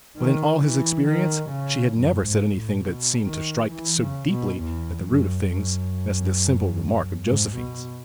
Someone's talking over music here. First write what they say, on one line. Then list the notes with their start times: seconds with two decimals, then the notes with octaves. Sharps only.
But in all his experience she had never said anything that seemed to strike so deeply at the root of things as this simple remark of Josephine's.
0.17 D#3
0.62 E3
1.06 D#3
1.49 C#3
1.94 F#2
2.23 G#2
2.53 A2
2.82 B2
3.27 D#3
3.71 E3
4.01 C#3
4.30 B2
4.60 E2
5.04 F#2
5.49 F#2
7.25 G#2
7.55 B2